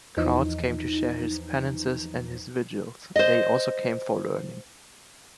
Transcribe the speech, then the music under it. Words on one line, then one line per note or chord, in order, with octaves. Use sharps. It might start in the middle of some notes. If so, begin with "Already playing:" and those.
Crowds came to share his penances and his vigils; they also came for learning.
E2 E3 F3 D#4
C5 D#5